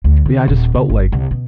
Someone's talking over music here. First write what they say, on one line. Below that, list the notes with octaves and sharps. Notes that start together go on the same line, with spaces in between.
but, yeah, I just felt I
D2
D3
D#1
C#3
G1
C2
B2